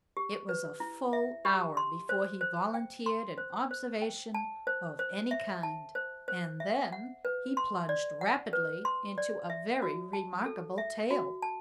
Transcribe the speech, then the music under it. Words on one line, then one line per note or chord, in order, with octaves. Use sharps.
It was a full hour before he volunteered an observation of any kind, and then he plunged rapidly into a very remarkable tale.
G4
B4
E4
E5
G4
C6
C5
C5
G5
C6
C5
C5
G5
A5
C5
C5
E5
A5
C5
C5
E5
F#5
B4
C6
D5
F#5
B4
C6
D5
E5
F#4
A5
A4
E5
F#4
A5